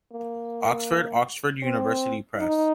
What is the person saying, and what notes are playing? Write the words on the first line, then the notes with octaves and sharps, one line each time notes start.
Oxford: Oxford University Press.
A#3
C4
D#4